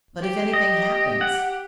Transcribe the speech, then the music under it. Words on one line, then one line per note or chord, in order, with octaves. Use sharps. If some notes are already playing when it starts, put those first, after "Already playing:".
"But if anything happens-?"
G4
D#5
F#5